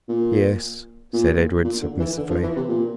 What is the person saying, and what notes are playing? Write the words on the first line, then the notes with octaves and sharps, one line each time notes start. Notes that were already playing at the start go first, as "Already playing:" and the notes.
"Yes," said Edred submissively.
A#2
A#2
A#2
D3
E3
D3
F3
E3
C3
A#2